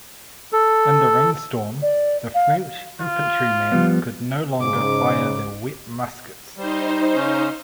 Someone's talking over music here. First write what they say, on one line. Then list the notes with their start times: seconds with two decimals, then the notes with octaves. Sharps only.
In the rainstorm, the French infantrymen could no longer fire their wet muskets.
0.53 A4
1.82 D5
2.35 F5
3.00 F4
3.72 F3 G3 B3
4.60 G#2 C#3 D6
6.57 G3 D#4 C5
7.15 C#3 C#4